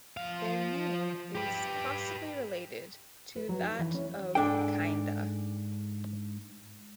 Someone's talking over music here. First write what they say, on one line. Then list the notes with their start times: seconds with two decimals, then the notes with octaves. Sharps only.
Their name is possibly related to that of Kinda.
0.17 F3 F5
1.35 G4 B4
3.36 B4
3.49 F#3
3.63 D#4
3.79 E3
3.94 C#4
4.35 G#2 D4 A4 G5